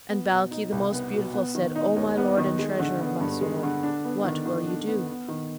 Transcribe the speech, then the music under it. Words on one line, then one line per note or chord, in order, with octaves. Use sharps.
And Balkis the Most Beautiful said, 'O my Lord and Treasure of my Soul, what will you do?'
B3
B2
D#4
C2
B3
B2
B3
D#3
D#4
D#2
B3
D#3
G#3
D3
B3
G2
G#3
D3
D4
B3
D#3
D#3
D4
B3
B3
D#3